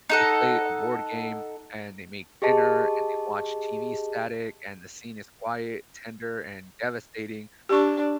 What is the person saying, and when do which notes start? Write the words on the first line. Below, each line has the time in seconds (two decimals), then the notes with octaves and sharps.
they play a board game, and they make dinner, and they watch TV static, and the scene is quiet, tender, and devastating.
0.10 D#4 A4 F#5
2.42 G4 G#4 D#5 A5
7.69 D4 G4 C#6